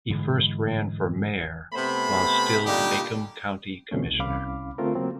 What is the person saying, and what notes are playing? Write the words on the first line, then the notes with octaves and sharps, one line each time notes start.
He first ran for Mayor while still Macomb County Commissioner.
G#2 D3 E3 G#3
C3 A3 B3 C5 B5
A#2 D3 G3 A#3 D#4 G4
B2 D3 E3 A3 C4 C#4
C2
C2 C#4 F5 B5 D6 F6
D3 A3 C4 F4 A#4
C#3 F#3 A#3 C4